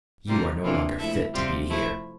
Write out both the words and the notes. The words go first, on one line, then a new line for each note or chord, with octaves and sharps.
You are no longer fit to be here.
C3 G3 A#3 F4
C3 E3 A#3 D4 F4
F3 A3 E4 A4 E5
C3 G3 C4 F4
F3 A3 E4